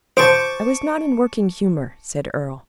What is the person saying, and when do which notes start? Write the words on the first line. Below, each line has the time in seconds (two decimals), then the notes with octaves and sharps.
"I was not in working humor," said Earle.
0.17 C5 A5 C#6 D6